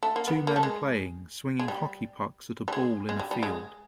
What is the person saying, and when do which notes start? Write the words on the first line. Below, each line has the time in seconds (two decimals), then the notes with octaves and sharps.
Two men playing swinging hockey pucks at a ball in a field.
0.03 A3
0.16 A#3
0.28 B3
0.47 A#3
0.56 A3
0.63 G#3
1.59 G#3
1.68 G3
2.68 G3
2.73 G#3
3.09 G#3
3.19 G3
3.31 G3
3.43 G#3